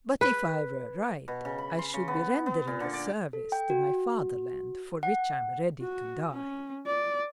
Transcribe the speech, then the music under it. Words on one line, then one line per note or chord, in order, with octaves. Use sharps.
"But if I were right, I should be rendering a service to my Fatherland for which I am ready to die."
B4
B2
C#3
B5
C6
C#3
B3
B3
A#2
D3
D5
A4
G5
F#4
F#5
F#4
C#4
D5